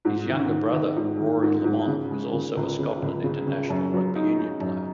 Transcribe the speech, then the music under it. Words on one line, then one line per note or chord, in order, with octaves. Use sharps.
His younger brother Rory Lamont was also a Scotland international rugby union player.
G#2
D#3
D#3
D#3
G#2
D#3
G#2
G#2
C#3
G#3
C#3
C#2
C#3
C#2
C#3
C#3
F#2
F#3
D#4
D#4
F#2